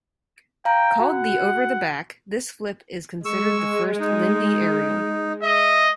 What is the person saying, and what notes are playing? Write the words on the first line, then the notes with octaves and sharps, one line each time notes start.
Called the 'over the back', this flip is considered the first Lindy aerial.
F5 G5 A#5
F#4 F#5
G#3 C#6 E6
D#4
D#5 E5